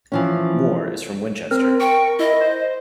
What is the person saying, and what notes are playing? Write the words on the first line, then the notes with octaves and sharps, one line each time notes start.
Moore is from Winchester.
E3 F3 C#4
C4 A#4
G5 C#6
E4 D#5
C5